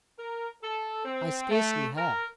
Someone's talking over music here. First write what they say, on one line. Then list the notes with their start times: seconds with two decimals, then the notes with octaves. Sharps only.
"I scarcely have."
0.19 A#4
0.62 A4
1.05 C4
1.51 A3
1.97 A#4